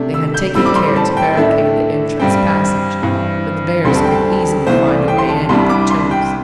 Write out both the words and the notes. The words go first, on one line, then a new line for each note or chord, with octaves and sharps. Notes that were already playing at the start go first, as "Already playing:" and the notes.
They had taken care to barricade the entrance passage, but the bears could easily find a way in if they chose.
Already playing: C3 A3 D4
E6
G6
A2 G3 C4 E6
D6
C6
A5
G5
A2 A3 D4 E5
G2 G3 C4 G5
G2 E3 C4
D2 D3 G3 C4 C6
A5
G5
A5
C2 C3 E3 A3 C5
D5
G5
C6
A5
C2 C3 G3 D4 C6
D6
C6
G5